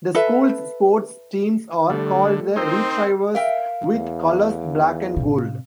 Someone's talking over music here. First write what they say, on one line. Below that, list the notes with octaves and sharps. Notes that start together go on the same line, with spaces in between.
The school's sports teams are called the Retrievers, with colors black and gold.
A4 B4 E5
D3 G3 A3
C4 D#4 A#4 C5 E6
A#4 E5 F5 G5
E2
A2 C3